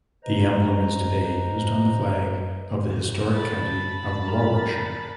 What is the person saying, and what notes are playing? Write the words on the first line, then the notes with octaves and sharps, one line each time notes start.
The emblem is today used on the flag of the historic county of Warwickshire.
B4 C5 D#5 A#5
A5 B5
A#4